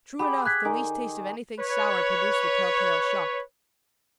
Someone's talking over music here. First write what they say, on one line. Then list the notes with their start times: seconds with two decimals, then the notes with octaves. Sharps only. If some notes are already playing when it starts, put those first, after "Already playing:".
True enough, the least taste of anything sour produced the tell-tale shock.
0.19 G4 G#4 G5 B5
0.45 F#6 G#6 B6
0.65 D#3 G#5
1.60 B4 C#5